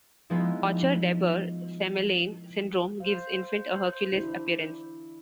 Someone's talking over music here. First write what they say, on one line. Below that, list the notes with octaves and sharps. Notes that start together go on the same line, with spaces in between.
Kocher-Debre-Semelaigne syndrome gives infant a Hercules appearance.
F3 G#3 B3 D#4 E4
C5 F5
D4 E4